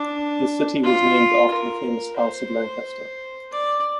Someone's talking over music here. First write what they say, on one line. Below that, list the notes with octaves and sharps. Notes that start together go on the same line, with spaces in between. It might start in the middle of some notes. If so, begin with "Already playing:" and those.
The city was named after the famous House of Lancaster.
Already playing: D4
F4
A#4
C5
D5